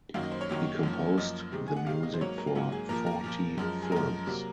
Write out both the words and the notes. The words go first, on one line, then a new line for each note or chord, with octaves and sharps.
He composed the music for forty films.
F#2 D#3 F#3 A#3 F5
D#5
C5
C#5
F#2 D#3 F#3 A#3
F#2 F3 A#3
F#2 F3 A#3 D#5
C3 D#3 G#3
G#5
F#5
C3 D#3 G#3 F5
D#5
C5
G#2 F#3 A#3 C#5
A#4
F4
G#2 F#3 A#3 F#4
G#4
A#2 F3 A#3 A#4
A#4
A#2 F3 A#3
F#2 F3 G#3
G#4
F#2 F3 G#3 A#4
C3 F#3 A#3